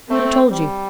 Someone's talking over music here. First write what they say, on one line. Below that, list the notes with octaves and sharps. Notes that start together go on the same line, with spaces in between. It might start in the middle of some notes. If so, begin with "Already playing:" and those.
"Who told you?"
A3 C4
G3